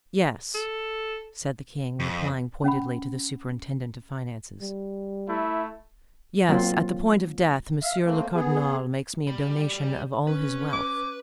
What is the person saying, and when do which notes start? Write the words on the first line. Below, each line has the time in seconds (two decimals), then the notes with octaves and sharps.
"Yes," said the king, replying pointedly to the superintendent of finances, "yes, at the point of death, monsieur le cardinal makes me a donation of all his wealth."
0.54 A4
2.00 F2
2.64 C#4 F#5 B5
4.61 G3
5.29 A3 E4
6.49 F#3 A#3 C4 F4
7.82 E5 F5
8.05 A3 A#3 C4
8.35 B3 G#4
9.27 G3 B5
10.27 C#4 B4
10.73 D6